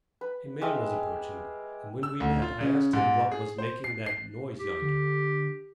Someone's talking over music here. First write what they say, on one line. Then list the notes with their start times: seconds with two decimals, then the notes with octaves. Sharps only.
A man was approaching, and when we met I asked him what was making that noise yonder.
0.21 B4
0.61 G#3 G4 E5 F5
2.03 E6
2.20 D2
2.42 F4
2.60 C#3
2.93 G#2
3.32 G#4
3.58 C5
3.84 C7
4.06 C7
4.59 G4
4.82 D3